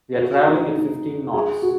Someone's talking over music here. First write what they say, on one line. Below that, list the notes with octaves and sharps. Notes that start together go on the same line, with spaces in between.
We are travelling at fifteen knots.
F#4
D#4
D#4
G#4
F#4